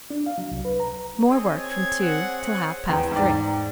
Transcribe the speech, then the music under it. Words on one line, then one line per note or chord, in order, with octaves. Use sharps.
More work from two till half past three.
D4
F5
F#3
C2
B4
A#5
C4 G#4 C#5 D#5
G#6
F#5
F#5
E2 G5 A#5
G#2 D5